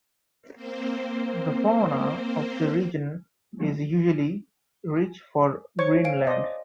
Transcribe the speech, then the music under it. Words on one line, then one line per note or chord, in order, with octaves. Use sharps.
The fauna of the region is unusually rich for Greenland.
A#3 C4 C5
C5 C#5 C#6 G#6
F5 G#5 D7
C5 D5 D#5